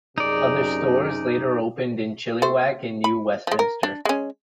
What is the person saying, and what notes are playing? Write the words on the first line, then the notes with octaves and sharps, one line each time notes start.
Other stores later opened in Chilliwack and New Westminster.
F#2 C3 D#4 G#4 D5
A3 C5
B5
F3 G#3
A#4
D4
G#3 C#4